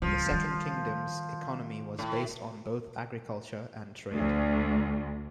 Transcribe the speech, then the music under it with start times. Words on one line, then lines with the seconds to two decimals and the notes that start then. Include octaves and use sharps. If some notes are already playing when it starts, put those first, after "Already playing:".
The second kingdom's economy was based on both agriculture and trade.
0.02 C#2 F3 G3
0.31 D#3 G3
1.99 A2
4.14 D2